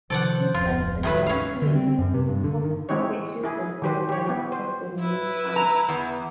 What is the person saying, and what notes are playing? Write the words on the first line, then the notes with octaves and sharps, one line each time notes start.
He climbs a mountain whose top catches the first rays of the morning sun.
C3 D#3 F3 A4 C5 D5 F#5
D1 F2 F4
A2 D#3 B4 E5
E2 D#3 C#4 F5
D3
C4
C4
F#2
C3
G2
D3
D#3
E3 G#3 C4 D#4 G4 C#5
E4 G#4
D#3 F#3 G4 B4 C5
G4 C#5
B3 E4 G4
C5
E4 B4
A#5
E2